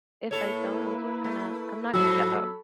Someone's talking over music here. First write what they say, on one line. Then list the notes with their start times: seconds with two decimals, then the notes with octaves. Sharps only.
if I don't, I'm just gonna I'm not gonna get up.
0.31 A2 A#3 E4 A4 B4 C#5
1.24 A3
1.94 G#2 F3 F#3 F#4 A4 B5 E6